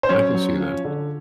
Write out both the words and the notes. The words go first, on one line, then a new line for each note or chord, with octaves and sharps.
I can see that,
C5
F#3 C#4 C#5
F#3
F3
D3